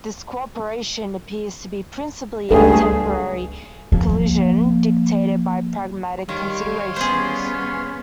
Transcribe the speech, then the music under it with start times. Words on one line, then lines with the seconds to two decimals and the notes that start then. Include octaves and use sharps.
This co-operation appears to be principally a temporary coalition dictated by pragmatic considerations.
2.51 C#2 G2 G3 A3 G#4 A4
3.92 F3 A#3
6.29 D#3 G3 C#5 F5 C6
6.96 B3 C#4 G#4 C5